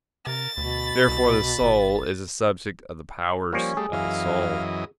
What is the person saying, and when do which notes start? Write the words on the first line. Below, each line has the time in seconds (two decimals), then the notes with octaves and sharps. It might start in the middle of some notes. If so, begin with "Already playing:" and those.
Therefore the soul is the subject of the powers of the soul.
0.27 C3 A#4 A6
0.57 D2 B2 B5
1.08 C2
1.61 G1
3.53 F3 G3 A#3 C#4
3.77 G3 A3 G#4
3.93 F#2 E3 D#5 F5